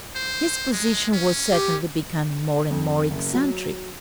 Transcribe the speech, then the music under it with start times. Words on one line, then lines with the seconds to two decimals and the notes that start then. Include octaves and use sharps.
His position was certainly becoming more and more eccentric.
0.16 C5
0.73 G#3
1.13 C#4
1.50 G4
2.71 F2
3.11 F#1
3.34 F#3